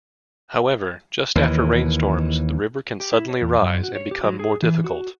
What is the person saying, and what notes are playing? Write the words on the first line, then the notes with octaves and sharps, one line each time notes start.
However, just after rainstorms, the river can suddenly rise and become more difficult.
D#2 E3
G4
E4
C#5
E2
F#2
F#4
C#5
G4
F#3
G#4
E3
F#4